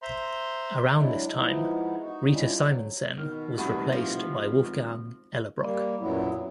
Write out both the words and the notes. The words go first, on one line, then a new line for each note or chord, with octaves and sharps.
Around this time Rita Simonsen was replaced by Wolfgang Ellerbrock.
C5 E5 A#5 C6
F#3 G#3 D4 E4
F3 G#3 B3 D#4 E4
D#4 F#4
G3 G#3 C#4 D4 E4 F4
F#3
B2 D#3 F6
F#1 E2 G3 A3 F#4
F3
G#1
G3 A#3
F#2 A#2 F#3 B3 E4